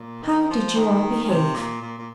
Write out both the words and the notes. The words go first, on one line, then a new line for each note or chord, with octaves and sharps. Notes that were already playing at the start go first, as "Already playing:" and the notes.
How did you all behave?
Already playing: A#2
D#3
F3
D#3
D#3
C3
A#2
A#2
A#2